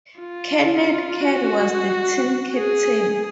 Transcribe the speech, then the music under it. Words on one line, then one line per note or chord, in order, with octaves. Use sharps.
Kenneth Kerr was the team captain.
F4
F#4
G#4